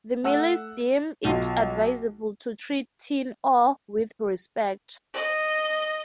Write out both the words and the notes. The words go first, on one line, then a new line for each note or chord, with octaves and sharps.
The Malays deem it advisable to treat tin ore with respect.
A3 F#5 E6
B1 F4
D#5